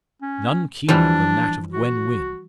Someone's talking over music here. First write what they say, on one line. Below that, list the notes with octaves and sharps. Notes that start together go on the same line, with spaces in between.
None keener than that of Gwen Wynn.
C#4
E3 F3 G3 D4
F#4